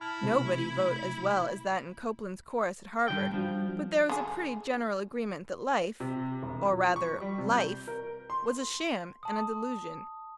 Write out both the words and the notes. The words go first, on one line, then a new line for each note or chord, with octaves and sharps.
Nobody wrote as well as that in Copeland's course at Harvard but there was a pretty general agreement that life--or rather Life--was a sham and a delusion.
E4 A5 F6
C3 A3
G2 E3 G5
F3 G3 D4 F#4
D3 G#4
C3
E1
F3
C#6
G3
C3
G6
A#4
C6
A5 D#6